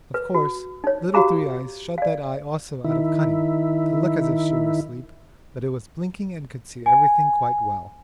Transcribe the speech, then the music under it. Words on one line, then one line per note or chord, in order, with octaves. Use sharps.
Of course Little Three-eyes shut that eye also out of cunning, to look as if she were asleep, but it was blinking and could see everything quite well.
B4
F#4
D#4 C#5
F#4 G4 F5 A#5 D6
D5 F5
D#3 E4
G#5